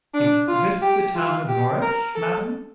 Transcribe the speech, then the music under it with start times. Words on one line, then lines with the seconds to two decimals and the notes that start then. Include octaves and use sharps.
"Is this the town of Norwich, madam?"
0.15 D4
0.48 F4
0.82 G4
1.15 F4
1.49 G4
1.82 A#4
2.15 A4